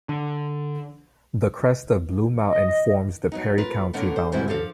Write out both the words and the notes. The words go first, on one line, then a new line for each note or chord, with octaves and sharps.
The crest of Blue Mountain forms the Perry County boundary.
D3
D#5
F#3 B3 D#4
F4 A#4 B4
A2 D3 A#3 B3 C#4
C5
E2 G#2 B2 G3 C4 E4
F3 D4 A4 C5 F5